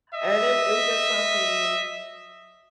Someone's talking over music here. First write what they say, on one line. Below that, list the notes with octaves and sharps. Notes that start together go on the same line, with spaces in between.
And it it was just something
D#5 E5